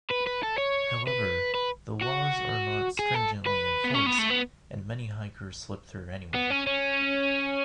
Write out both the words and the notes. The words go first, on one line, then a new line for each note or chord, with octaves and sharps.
However, the laws are not stringently enforced, and many hikers slip through anyway.
B4
B4
A4
C#5
B4
B4
F#4
G#4
A4
B4
B3
C#4
B3
A3
B3
B3
C#4
C#4